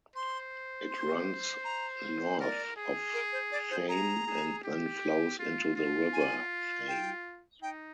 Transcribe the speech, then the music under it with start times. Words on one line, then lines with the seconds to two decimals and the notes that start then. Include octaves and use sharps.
It runs north of Thame and then flows into the River Thame.
0.16 C5 C6
0.91 C6
1.64 A#5
2.39 A#4 D5
2.76 G#4
3.14 A#4
3.32 C5
3.52 D5
3.70 C5
3.88 G#4 A#5
4.27 G#4
4.63 G4
5.39 F4
5.76 F4
6.13 G#5
6.88 G5
7.62 D#4 G5